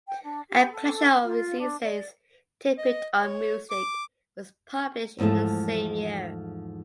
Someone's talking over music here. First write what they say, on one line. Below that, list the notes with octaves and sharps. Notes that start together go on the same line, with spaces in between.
A collection of his essays, "Tippett on Music", was published in the same year.
G5
D4
G4
A4
F4
D4
D5
D#5
C#5
D6
E2 G#2 F3 A3 A4